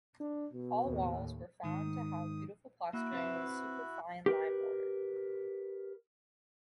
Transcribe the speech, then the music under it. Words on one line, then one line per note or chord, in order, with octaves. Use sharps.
All walls were found to have beautiful plastering with superfine lime mortar.
D4
B2
D#2 A2
G#2 D#3 D#6
A#3 E4 F#4
C4 B4 E5
G4 A#4 B4